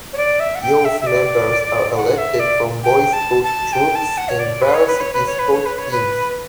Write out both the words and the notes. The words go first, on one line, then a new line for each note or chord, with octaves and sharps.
Youth members are elected from Boy Scout troops and Varsity Scout teams.
C#5
D5
E5
F#5
G5
E5
E5
D5
F#5
E5
D5
G5
A5
A5
G5
A5
F#5
C#5
D5
B4
C#5
B4
C#5
B4
C#5
B4
C#5
B4
C#5
B4